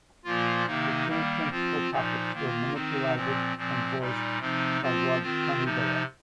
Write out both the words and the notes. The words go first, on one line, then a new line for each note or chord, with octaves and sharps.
The two principal puppets were manipulated and voiced by Rod Coneybeare.
A#2 F3 A#3 F4
C3 D#3 A#3 D#4
D#3 G3 A#3
F3 C4 F4
A#2 F3 D#4
D#3 A#3 F4
D#3 C4 D#4
A#2 F3 C4
A#2 F3 C4
A#2 G3 D#4
C3 F3 C4 D#4
F3 C4 F4
D#3 C4 F4
C3 F3 D#4